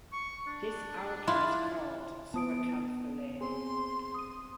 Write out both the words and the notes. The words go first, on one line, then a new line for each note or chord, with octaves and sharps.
This algae is called zooxanthellae.
C#6
D4
E4 F4
B3 A5 D#6 D7
C4 G#4 C6
D#6 D#7